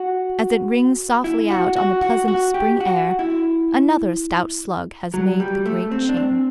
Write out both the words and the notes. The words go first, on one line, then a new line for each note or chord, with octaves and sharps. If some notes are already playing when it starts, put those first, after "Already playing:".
As it rings softly out on the pleasant spring air, another stout slug has made the Great Change.
Already playing: F#4
E4
F#4
F#4
F#4
F#4
G4
F#4
E4
F#3
G3
A3
C4
D4
C4